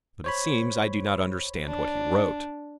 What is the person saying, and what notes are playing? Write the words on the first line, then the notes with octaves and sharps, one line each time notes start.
But it seems I do not understand what he wrote.
C5 C#5 B5
D4